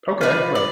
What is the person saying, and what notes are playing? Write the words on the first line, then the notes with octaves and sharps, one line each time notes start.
Okay, right.
F4 B4 D5
D5